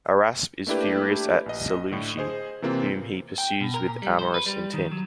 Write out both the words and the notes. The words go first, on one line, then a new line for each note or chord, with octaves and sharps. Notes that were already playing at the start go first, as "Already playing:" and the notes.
Araspe is furious at Seleuce, whom he pursues with amorous intent.
A3 A#3 D4 E4 G4 B4
A#1 D#5
A2 D3
G#4 C5 D#5
C3 E3 A#3 C4 F4
G5
B2
A#4
A#2
G3
C5
B4
G3
D#3
F#3